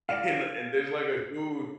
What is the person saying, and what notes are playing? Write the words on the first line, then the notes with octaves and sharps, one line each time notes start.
and and there's, like, a dude
D5 F5